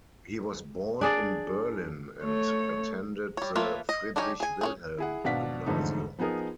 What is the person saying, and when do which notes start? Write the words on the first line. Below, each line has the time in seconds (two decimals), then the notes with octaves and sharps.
He was born in Berlin, and attended the Friedrich-Wilhelm gymnasium.
1.01 D4 G#4 D5
2.23 A3 C#5
3.37 G3 C#5
3.56 A3 A#3 F4 B4 C#5
3.89 D#5
4.16 D4 D#4 G4 C#5 G#5
4.40 G#4 G#5
4.61 C#4 F4 G#4
4.98 E4 G#4 F#5
5.24 G#1 B2 D4 F5 F#5 B6
5.66 E1 F2 G#2 D3 A3 D#4
6.19 F3 B3 D#4 G#4 A#4